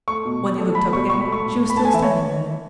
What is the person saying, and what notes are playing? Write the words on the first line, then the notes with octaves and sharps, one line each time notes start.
When he looked up again she was still standing there.
A3 C#6
B2
B2
A3
A3 B5
B2 C#6
B2 C#6
B5
A3
C#6
A2
A2
B5
A3 A5
G#5
E3 E5
C#5